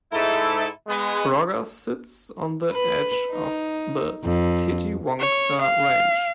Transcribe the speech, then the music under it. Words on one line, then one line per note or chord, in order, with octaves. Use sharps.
Broga sits on the edge of the Titiwangsa Range.
G#2 E4 A4
G#3 B3
B4
D#4
F2
C#5
F5